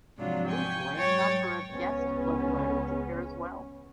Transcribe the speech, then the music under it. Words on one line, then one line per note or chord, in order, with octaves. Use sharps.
Usually a number of guest locomotives appear as well.
G#2 C3 F3 F#3 D4 F4
G5 G#5 C#6
G#2 F#3 C#5 G5 C#6 A6
C#2 B3 C#4